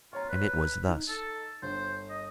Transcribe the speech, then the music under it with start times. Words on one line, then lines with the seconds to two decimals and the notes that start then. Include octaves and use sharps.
And it was thus.
0.13 F4 C#5 A#5
0.29 B4
0.88 D#4
1.09 A4
1.62 G1 C5
2.09 D#5